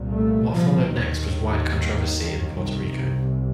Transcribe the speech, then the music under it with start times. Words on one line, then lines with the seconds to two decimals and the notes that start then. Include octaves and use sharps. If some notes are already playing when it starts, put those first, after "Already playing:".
What followed next was wide controversy in Puerto Rico.
Already playing: C2 A#2
0.11 A3
0.51 F3
0.93 D#2 D#3
2.53 C2 C3